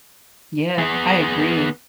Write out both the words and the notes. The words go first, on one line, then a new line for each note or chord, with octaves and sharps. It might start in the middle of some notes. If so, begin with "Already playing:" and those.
Yeah. I agree.
B3 G#4